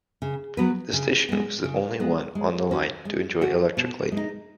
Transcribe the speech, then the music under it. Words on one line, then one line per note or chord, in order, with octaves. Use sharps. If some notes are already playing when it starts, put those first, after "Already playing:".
The station was the only one on the line to enjoy electric lighting.
C#3
F#3 B3 F#4 B4
C#3
G#3 B3
C#3
G#3 B3
G#3
C#4 F#4
G#3
C#4 F#4
B2
G#3 D#4